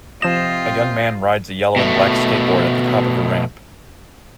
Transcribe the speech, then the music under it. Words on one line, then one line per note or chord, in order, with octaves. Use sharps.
A young man rides a yellow and black skateboard at the top of a ramp.
C3 F3 C4 F4 C5 D#5 E7
B2 A3